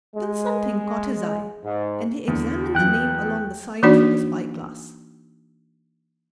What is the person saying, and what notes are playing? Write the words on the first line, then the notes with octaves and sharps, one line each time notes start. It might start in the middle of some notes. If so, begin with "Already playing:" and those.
Then something caught his eye and he examined the name along the side through the spyglass.
G#3
G#2
E2 D3
E3 F#3 G5 F#6
E3 A#3 D4 D#4 F#4 D5